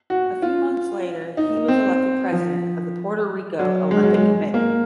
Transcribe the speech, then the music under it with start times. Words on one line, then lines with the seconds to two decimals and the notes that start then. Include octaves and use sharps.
A few months later he was elected president of the Puerto Rico Olympic Committee.
0.10 F#4
0.42 F4
1.37 D#4
1.68 C4
2.32 F3
3.59 F#3
3.91 G#3
4.03 F#3
4.14 G#3
4.54 A#3